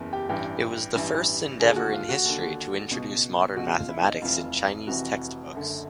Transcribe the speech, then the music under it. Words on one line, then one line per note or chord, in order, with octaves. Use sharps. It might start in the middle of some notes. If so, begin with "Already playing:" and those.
It was the first endeavor in history to introduce modern mathematics in Chinese textbooks.
Already playing: F#1 E2 C#3 E3
G4
A1 G2 E3 G4
A1 G2 E3
D#2 D3 G#4
F#4
F4
F#4
D#2 D3
C#2 B2
C#2 B2 F#4
F4
E4
D#4
F1 F2 C3 E3 F4
F1 F2 C3 E3 F#4
F#1 F#2 D3